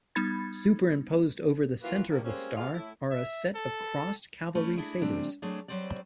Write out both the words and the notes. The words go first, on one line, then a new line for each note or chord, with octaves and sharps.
Superimposed over the center of the star are a set of crossed cavalry sabers.
G3 B3 D#4 B5 G#6 A6
F#2 E3 A#3 F4 F#4 B4
A2 C3 D#3 G3 A#3
G3 G#3 A#3 C4 C#4
B2 G#3 F5
A2 E4
E5
A4
A3 C#4 E4 B4
D4 E4 G#4
C3 E3 G3 A3 C4 D4
F#3 A3 C4 D4 G#4
F#3 G3 C4 C5 D5